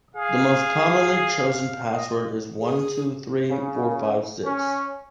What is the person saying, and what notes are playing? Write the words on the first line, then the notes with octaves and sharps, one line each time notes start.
The most commonly chosen password is one two three four five six.
G#4 F5
D#5
G#4
C#3
C#4